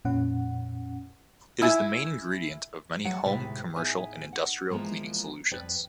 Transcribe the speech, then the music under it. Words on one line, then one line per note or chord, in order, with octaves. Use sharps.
It is the main ingredient of many home, commercial and industrial cleaning solutions.
F2 A#2 C#4 F#5
E4 E5 G#5
E2 F#3 A3 F#4 F#5
D#2 A2 C3 G#3 B4
A2 B3 D#4 G#4 E5 G#5
F#5
E3 F3 G#3 A#3 B3
F2 B4 D5